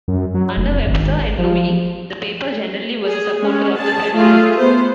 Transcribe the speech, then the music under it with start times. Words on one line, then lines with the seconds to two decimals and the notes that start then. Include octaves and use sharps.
Under Webster and Lewis, the paper generally was a supporter of the Federalists.
0.08 F#2
0.34 F#3
0.57 F1
0.86 G#1
1.38 F3
3.06 G#4
3.41 G#3 C#4
3.77 G#4 A5
4.14 A3 F4 G#4
4.58 B3 C5